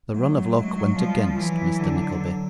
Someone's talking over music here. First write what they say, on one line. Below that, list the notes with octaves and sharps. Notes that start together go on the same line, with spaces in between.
The run of luck went against Mr Nickleby.
F#3 A3
A3
F#3 G#3
A3
G#3
F3 G3
E3 F#3
D3